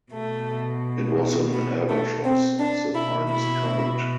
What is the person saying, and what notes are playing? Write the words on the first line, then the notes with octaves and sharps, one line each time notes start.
It was an albatross of the finest kind.
B2 A3
B3
A3
C4
D4
B2 E4
E4